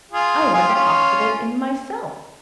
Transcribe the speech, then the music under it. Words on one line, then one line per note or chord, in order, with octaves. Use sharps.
I was a hospital in myself.
F4 G#4
F4 G#4
G4
C#4 F4